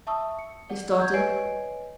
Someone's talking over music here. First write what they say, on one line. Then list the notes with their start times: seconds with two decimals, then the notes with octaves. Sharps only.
He started.
0.07 E5 A5 C#6 D#6 E6
0.39 C#7
0.70 D5 F#5
0.99 G6 G#6
1.14 B4 C#5 D#5 G#5 C7 D7